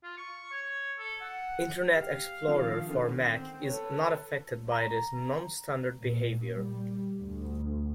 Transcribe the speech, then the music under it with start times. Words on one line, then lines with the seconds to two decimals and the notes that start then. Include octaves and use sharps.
Internet Explorer for Mac is not affected by this non-standard behavior.
0.03 F4
0.17 C#6
0.52 C#5
0.99 A4
1.21 F#5
1.95 G4 F5
2.48 D3 D#3 F3
2.89 D3 D#3 B3 C#4
3.23 C4
3.64 A4 B4 C#5
4.72 A#5
5.99 A#2
6.56 G3
7.19 D2